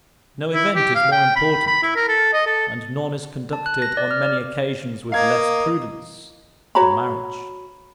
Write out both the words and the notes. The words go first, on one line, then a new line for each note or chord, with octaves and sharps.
No event is more important, and none is conducted, on many occasions, with less prudence, than Marriage.
E4
G4
F5
G5
B5
B5
E4
A#4
A4
D#5
A4
A5
F#6
A#6
D5
F6
D5
A#3 D#5 F5 G#6
F#4 C#5 A#5 B5